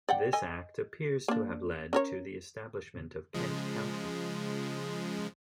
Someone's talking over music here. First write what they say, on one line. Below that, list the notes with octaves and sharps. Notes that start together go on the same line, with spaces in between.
This act appears to have led to the establishment of Kent County.
D5 F#5 G5
A4 D#5 G#5
A#3 D4
C#4 A#4 C#5
C#3 F3 G#3